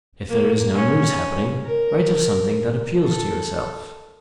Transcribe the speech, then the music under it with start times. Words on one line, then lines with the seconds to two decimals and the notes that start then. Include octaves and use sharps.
If there is no news happening, write of something that appeals to yourself.
0.30 A#3
0.74 C#4
1.65 A#4
3.02 A4